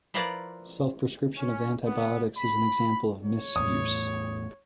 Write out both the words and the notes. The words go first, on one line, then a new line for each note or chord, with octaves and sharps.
Self prescription of antibiotics is an example of misuse.
F3 E4 F4 A#4 B4 D5
C#4
B3
B5
C#5
E2 A2 D#6